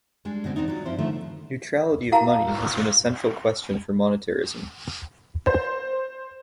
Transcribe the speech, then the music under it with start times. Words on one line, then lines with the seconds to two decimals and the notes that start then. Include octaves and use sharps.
Neutrality of money has been a central question for monetarism.
0.25 G3 G#3 D4
0.44 B2 D3 G#3 C4
0.56 D#2 C4 D4 D#4
0.68 F#3 F4 D5
0.85 G2 F3 C4 E4 C5
0.98 A2 D3 D#3 F3 A3
2.12 E4 F#4 A#4 F5 A5 A#5
5.47 C5